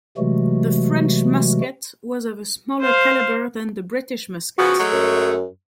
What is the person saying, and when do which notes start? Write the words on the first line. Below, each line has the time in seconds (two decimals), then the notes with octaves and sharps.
The French musket was of a smaller caliber than the British musket.
0.18 C3 E3 F#3 G#3 A3 F#4
2.81 C5 F5
4.58 C#3 F3 B3 F#4
4.78 F#3 G#3 A3
4.92 F#2